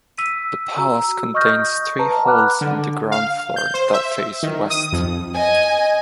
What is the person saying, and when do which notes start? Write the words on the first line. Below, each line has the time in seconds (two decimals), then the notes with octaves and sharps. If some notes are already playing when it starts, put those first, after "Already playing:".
The palace contains three halls on the ground floor that face west.
0.18 E6 B6 D#7
0.77 F#4 A#5 E6
1.34 D#5 C#6 D#6 F6 G6 A#6
1.99 B4 A5 A#5
2.25 F#5 A#5 B5 D6 F6 F#6
2.61 D3
3.12 F5
3.56 G6
3.74 C5
3.94 E5
4.43 D#3
4.70 D#6
4.92 F2
5.34 D#5 G#5